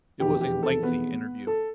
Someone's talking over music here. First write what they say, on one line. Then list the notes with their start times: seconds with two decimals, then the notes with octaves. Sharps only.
It was a lengthy interview.
0.20 F1 E2 B2 G4
0.41 G4
0.63 A4
0.83 B3 B4
1.47 A4